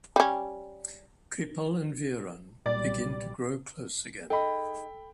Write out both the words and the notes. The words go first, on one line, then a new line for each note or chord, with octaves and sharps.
Kripal and Veeran begin to grow close again.
G3 C#4
B1 A#2 G3 D5
D#4 G#4 A4 D#5 G5 B5